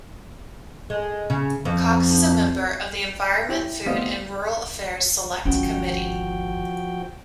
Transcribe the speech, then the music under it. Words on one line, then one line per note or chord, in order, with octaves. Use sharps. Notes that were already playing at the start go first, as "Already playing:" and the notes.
Cox is a member of the Environment, Food and Rural Affairs Select Committee.
G#3
C#3
F2
E4 G4 G5
A3 B3 C4 D#5 F5
G1 D#2 F3 G#3 C#4 F#4 G5